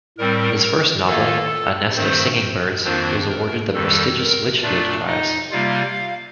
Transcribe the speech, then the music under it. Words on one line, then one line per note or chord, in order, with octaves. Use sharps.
His first novel "A Nest of Singing Birds" was awarded the prestigious Litchfield Prize.
A2 G3 C4 A#4
D#3 A#3 F4 A4
G2 D#3 A3 C4 C5
F2 D#3 A#3 C4 D4 F4 C5
A#4
F2 D#3 G3 A4
A#4
A#2 A3 D4 F4 D5
D#4 D#5
C3 G3 A#3 F4 F5